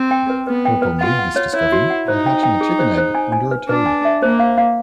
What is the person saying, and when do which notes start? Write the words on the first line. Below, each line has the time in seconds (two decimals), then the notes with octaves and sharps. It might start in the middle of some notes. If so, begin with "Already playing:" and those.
Herpo made this discovery by hatching a chicken egg under a toad.
Already playing: C4
0.11 G5
0.30 B4
0.47 B3 B4
0.65 G5
0.82 B4
1.00 F4 F#5
1.19 F#5
1.36 C#5
1.54 E4 C#5
1.72 F#4
1.90 F#5
2.08 D#4 C5
2.26 G5
2.43 G5
2.61 G#4
2.79 C5
2.98 C5
3.15 G#5
3.32 G#5
3.51 B4
3.69 D4 B4
3.86 G#5
4.05 E5
4.22 A#3 C5
4.40 F5
4.58 F5